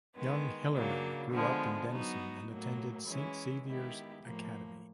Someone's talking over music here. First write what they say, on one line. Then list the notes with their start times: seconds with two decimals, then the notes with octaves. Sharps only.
Young Hillerman grew up in Denison and attended Saint Xavier's Academy.
0.16 D#3 G#3 B3
0.74 C#3 F#3 A#3 D4
1.32 D3 F3 G#3 B3
1.91 F#3 B3 D#4 F#4
2.49 A2 F#3 A#3
3.07 E3 G#3 C#4 E4
3.65 D#3 G#3 B3 E4 G4
4.23 A2 F3 A#3